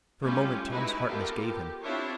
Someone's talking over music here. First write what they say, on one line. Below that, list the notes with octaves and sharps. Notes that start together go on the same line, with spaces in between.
For a moment Tom's heart misgave him.
G3 A3 C#4 F4 G4
G#3 D#4 E4 F#4 B4
B3 F4 G4 A4 A#4
G4
C4 D4 E4 F4 G4 C#5